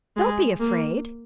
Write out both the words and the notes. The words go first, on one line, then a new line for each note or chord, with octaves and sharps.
Don't be afraid.
G#3
A#3